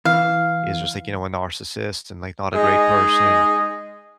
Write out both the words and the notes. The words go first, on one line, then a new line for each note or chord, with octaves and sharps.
is just, like, you know, a narcissist, and, like, not a great person,
E3 F5
G#3 D#4 G#4 D#5